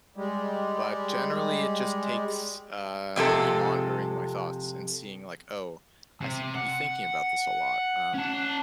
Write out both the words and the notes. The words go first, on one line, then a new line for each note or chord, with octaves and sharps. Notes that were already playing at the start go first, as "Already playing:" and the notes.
but, generally, it just takes, uh, me monitoring my thoughts and seeing like, "Oh, I seem to be thinking about this a lot, um"
G3 G#3
F2 C3 G#3 A4
C3
F#5
C#4 A5